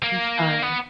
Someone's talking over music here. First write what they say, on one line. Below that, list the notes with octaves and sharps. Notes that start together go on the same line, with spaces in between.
I'm sorry.
A#3
B3